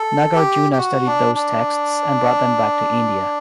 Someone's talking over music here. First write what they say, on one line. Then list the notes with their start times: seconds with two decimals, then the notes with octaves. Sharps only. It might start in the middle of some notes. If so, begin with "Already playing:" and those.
Nagarjuna studied those texts and brought them back to India.
Already playing: A4
0.35 G4
0.72 G4
0.78 F#4
1.07 D4
1.35 D4